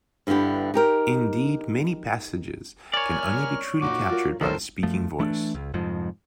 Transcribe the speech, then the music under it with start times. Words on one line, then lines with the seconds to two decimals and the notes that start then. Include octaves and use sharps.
Indeed, many passages can only be truly captured by the speaking voice.
0.27 G2 D3 B3 E4 G4
0.74 D#4 G4 A#4
2.94 A#4 C#5 D5 G#5 F6
3.82 A#2 D#4 F#4 D#5 D6
4.09 F4 A#4
4.41 D2 D#3 A4 A#4 C5 C#5 D#5
4.83 F#2 F3 A3
5.19 E3 A3 D4
5.54 C#2
5.74 C2 F2 G#2 F3